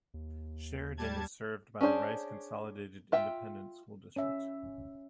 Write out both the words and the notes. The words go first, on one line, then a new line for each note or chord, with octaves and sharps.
Sheridan is served by the Rice Consolidated Independent School District.
D#2
G3 A5 G#6
C#4 D4 G#4 C5
F4 E5 G5
C#4 E5